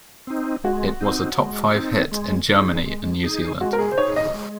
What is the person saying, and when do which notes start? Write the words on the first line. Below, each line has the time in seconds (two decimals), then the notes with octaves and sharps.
It was a top five hit in Germany and New Zealand.
0.27 C4 D#4
0.64 G#3 F#4
1.01 C4 D#4
1.39 G#3
1.75 C4 D#4
2.12 G#3
2.49 D#4 G#4
2.86 G#3
3.24 D#4 G#4
3.61 G#3 F#4
3.73 A#4
3.79 G#4
3.92 C5
3.98 D#4 G#4 C#5
4.16 D#5
4.34 G#3